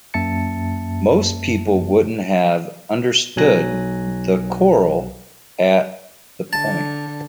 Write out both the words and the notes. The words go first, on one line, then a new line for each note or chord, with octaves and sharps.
Most people wouldn't have understood the Coral at that point.
F#2 A#3 E5 A5 A6 C#7
B1 F#3 G#5 F#6 A#6
D3 A5